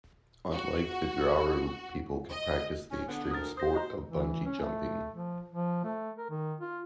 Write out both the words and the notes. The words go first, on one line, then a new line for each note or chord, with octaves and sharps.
On Lake Vidraru, people can practice the extreme sport of bungee jumping.
F#4
D#5
C#4
D3 B3
D2 A#4 D#6 A6
C5 D#6 A#6
F#4 D#5 A#5
E3
C#4
A3
F3
F3
A3
A#4
D#3
F4